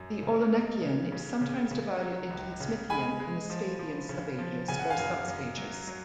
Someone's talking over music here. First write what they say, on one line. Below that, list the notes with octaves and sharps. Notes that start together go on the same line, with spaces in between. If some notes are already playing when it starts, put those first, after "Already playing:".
The Olenekian is sometimes divided into the Smithian and the Spathian subages or substages.
Already playing: F#2
C#3
G#3
C#3
C#3
C#3
C#3
F#3
C#2
C#3
G#3 G#5 B5
G#3
F3
F3
C#3
F3
C#3 G#5
F#5
F5 G#5
F#2
F#2
F#3
F#3